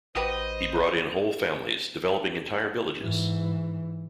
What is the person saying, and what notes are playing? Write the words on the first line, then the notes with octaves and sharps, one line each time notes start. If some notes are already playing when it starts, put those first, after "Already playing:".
He brought in whole families, developing entire villages.
A1 F#4 G4 B4 C5 D#5
G#2 E3